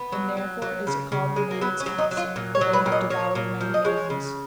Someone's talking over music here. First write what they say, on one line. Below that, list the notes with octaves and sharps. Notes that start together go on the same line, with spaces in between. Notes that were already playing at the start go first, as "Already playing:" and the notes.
And therefore is it called the Maidens' Castle, for they have devoured many maidens.
Already playing: B3
F#3
F#3
F#3
C#3
C#3
G#3
A#3
F#3 B3
C#4
F#3
D#4
F#3
F4
A#2
C#5
F#3
B4
A#2
D#5
A#2 C#5
A#2
F3
D#5
G#3 C#5
C#3